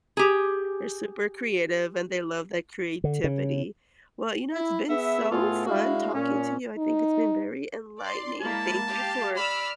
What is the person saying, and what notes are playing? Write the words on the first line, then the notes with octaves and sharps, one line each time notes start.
they're super creative and they love that creativity. Well, you know, it's been so fun talking to you, I think it's been very enlightening. Thank you for
G4 G#4
D3
C#3
E4
B3 G#4 B4 E5
A2 A3 B3 F4 G#4 A4
G#3 D4 E4 F#4 F5
A#2 C#4
D#4
D5 C6
G#3 A#3 E4 A5
G4 F5
D5 B5 E6 F6